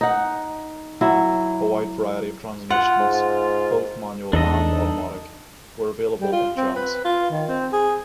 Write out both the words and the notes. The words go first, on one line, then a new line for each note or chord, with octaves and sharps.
A wide variety of transmissions, both manual and automatic, were available in Champs.
D#4 F#5
F#3 E4
F4 F#5
G#2
E2 D4 D#4 A4 D#5
G3
F4
C4
B4
F4
D#3
C4
G#4